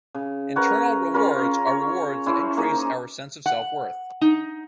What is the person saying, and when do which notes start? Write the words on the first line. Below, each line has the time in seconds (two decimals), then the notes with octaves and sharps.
Internal rewards are rewards that increase our sense of self-worth.
0.14 C#3
0.56 A#4 B4 C#5 F#5
1.14 C#4 F4 A#4 B5
1.66 C#5
2.26 C#4 E4 C5
2.57 A#3 D#4 G#4 A#4
3.46 F#5
4.21 D#4